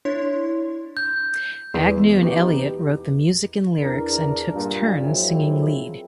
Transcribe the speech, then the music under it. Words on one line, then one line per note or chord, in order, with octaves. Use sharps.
Agnew and Elliott wrote the music and lyrics and took turns singing lead.
D4 E4 C#5 C6
G6
E2
B3 D#4 G4
E2 D4 A#4
G2 A#2
F3 F#3 G#3 A#3 C4 E4